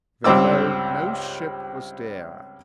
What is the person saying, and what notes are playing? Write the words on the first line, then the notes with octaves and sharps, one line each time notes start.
When lo! no ship was there!
C#2 G2 C4 D6 E6